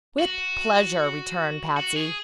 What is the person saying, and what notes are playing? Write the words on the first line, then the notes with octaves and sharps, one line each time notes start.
"With pleasure," returned Patsy.
F#4
F#4
G#4